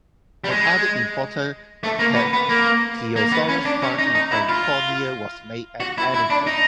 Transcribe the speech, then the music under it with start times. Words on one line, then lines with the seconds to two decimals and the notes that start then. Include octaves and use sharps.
Another important "Plateosaurus" find in Franconia was made at Ellingen.
0.44 G3
0.51 G#3
1.83 A3
1.99 A#3
2.16 B3
2.33 B3
2.49 A#3
3.16 A#3
3.32 B3
3.49 C#4
3.65 D4
3.82 C#4
3.99 D#4
4.15 D#4
4.32 E4
4.49 F4
5.80 F#4
5.98 E4
6.14 E4
6.30 D4
6.47 D#4